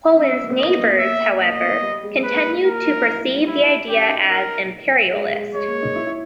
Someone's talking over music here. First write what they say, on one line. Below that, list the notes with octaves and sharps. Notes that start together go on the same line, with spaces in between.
Poland's neighbors, however, continued to perceive the idea as imperialist.
C#4 E5
B3
A#3
B3
A#3 D#5
B3
A#3
B3
A#3 E5
A#3 D#5
B3
G3
G#3
A#3 B4
G#3
A#3 A#4
D#4
D#4
E4
E4
G3
G3 E4
C#4 G4
D#4
A#4
G#3
G#3
G#3 C#5
A#3
D#4
E4
E4